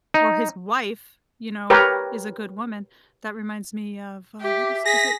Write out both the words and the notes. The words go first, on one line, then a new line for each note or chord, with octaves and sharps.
Or his wife, you know, is a good woman. That reminds me of, uh, what is is it?
D#4
G4 A#4 B4 C#5 G5
G4 E5
G#4 A#6 B6